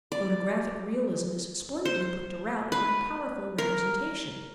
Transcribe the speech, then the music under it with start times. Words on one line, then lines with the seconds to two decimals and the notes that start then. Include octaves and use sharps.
Photographic realism is splendidly put to rout by powerful representation.
0.12 D5
1.85 C5
2.72 B4
3.58 A#4